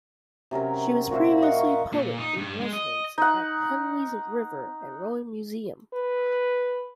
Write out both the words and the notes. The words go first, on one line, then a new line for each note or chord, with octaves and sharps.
She was previously poet in residence at Henley's River and Rowing museum.
C3 F#3 C#4 A#4
A#2 F#4 C5 E5
C#5 D#5 F5 F#5
C#5 A#5 C#6
A#2
D#4
G2
G#3
D#5
D#4 F#5
B4